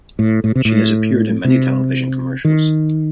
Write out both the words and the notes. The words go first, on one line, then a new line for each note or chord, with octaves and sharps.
She has appeared in many television commercials.
A2
A2
C3
A2
C3
D#3